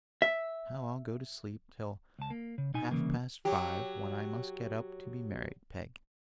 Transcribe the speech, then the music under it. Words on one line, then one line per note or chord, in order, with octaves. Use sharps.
And now I'll go to sleep till half-past five, when I must get up to be married, Peg!'
E5
C#2 A5
A#3
C#3
B2 D#4 G#5
C2 G#2 C#3 E3 A#3
F#3 G4